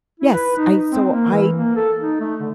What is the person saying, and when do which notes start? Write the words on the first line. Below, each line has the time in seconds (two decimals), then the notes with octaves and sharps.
Yes, I so, I
0.20 E4
0.33 B4
0.56 D#4
0.92 C4
1.10 A#3
1.30 E3
1.56 A#3
1.76 A4
2.00 D#4
2.20 A3
2.40 D3